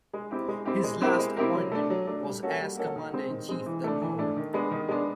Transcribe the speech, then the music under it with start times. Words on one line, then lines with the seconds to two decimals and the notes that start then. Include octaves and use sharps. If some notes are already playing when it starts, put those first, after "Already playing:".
His last appointment was as Commander-in-Chief, The Nore.
0.13 G#3
0.31 C4 E4 G4
0.48 G#3
0.65 C4 E4 G4
0.84 G#3
1.02 C4 E4 G4 A#4
1.19 G#3
1.36 C4 E4 G4 A#4
1.55 F#3
1.71 A3 D4
1.90 F#3
2.07 A3 D4
2.24 G3
2.43 A#3 C#4 F#4 A4
2.60 G3
2.77 A#3 C#4 F#4 A4
2.96 D#3
3.13 G#3 C4
3.30 D#3
3.49 G#3 C4
3.66 E3
3.84 A3 D4
4.01 E3
4.18 A3 D4
4.36 D#3
4.53 G#3 B3 D4
4.71 D#3
4.88 G#3 B3 D4